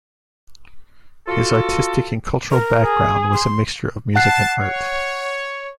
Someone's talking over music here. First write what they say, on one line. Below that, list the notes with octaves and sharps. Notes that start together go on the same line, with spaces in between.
His artistic and cultural background was a mixture of music and art.
F4 F#4 A4
A#4
G#4
C6
F#5 A5 F#6 C7
C#5